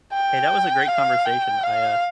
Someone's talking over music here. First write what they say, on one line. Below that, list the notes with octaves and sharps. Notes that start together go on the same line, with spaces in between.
Hey, that was a great conversation. I, uh
G5
F5
G5
F5